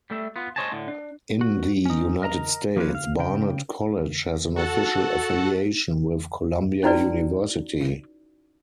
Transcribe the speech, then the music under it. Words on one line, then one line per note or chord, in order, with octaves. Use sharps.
In the United States, Barnard College has an official affiliation with Columbia University.
G3 A3 E5
B3 F4
C5 C#5 D#5 G#5 A5
A2 D3
D4
F#4
C#4 D#4
A#4 D#5 A5 A#5
F3 A#3 F4 G4 B4 C#5
F5
C#3 G5
F#4 A4 F#5 A5
C#4 D#4 E4 F#4 B4 D5